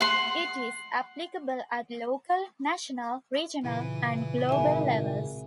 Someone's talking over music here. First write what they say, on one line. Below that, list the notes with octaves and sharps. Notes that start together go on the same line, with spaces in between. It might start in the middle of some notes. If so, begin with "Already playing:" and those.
It is applicable at local, national, regional and global levels.
F#5 C6
A#2 C#3 E3
G#1 E5 G#5